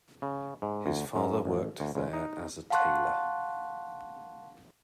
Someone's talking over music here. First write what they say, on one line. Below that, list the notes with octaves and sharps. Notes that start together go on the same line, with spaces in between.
His father worked there as a tailor.
C#3
G#2
D2
F#2
A1
D2
C#2
D#4
F5 F#5 A5 C6 C#6 F#6